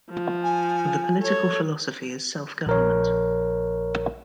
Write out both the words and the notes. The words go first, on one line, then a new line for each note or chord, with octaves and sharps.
The political philosophy is self-government.
F3
G#5
A4 C#5
A#1 A#4 C#5